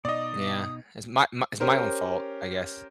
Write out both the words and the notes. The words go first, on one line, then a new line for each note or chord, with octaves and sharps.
Yeah, it's my my it's my own fault, I guess.
B2 D#4 D5 D#5 D#6
C#4 G4 A#4 C5